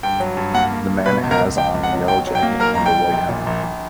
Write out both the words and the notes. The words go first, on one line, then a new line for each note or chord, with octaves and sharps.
The man has on a yellow jacket and a white helmet.
G2 G5
F#3
G2
A#3 F#5
A#3
G2
B2 B4 B5
C#2
A#4 A#5
C#2
C#2 G5
C#2
F#5
F#3
B1 G5
F#3
G5
A#3
B1 A#4 A#5
B1 A#5
G5
B1
A#1
A#2
A#1
A#1